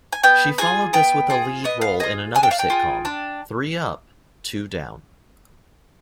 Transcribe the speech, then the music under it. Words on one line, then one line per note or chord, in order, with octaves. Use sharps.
She followed this with a lead role in another sitcom, "Three Up, Two Down".
G#5
B3 G5
F4 G#4 G#5
B3 G5
F4 G#4
B3 D#5
F5
F4 G#4 D#5
D4 G#5
G5
F5
G5
F4 G#4
D4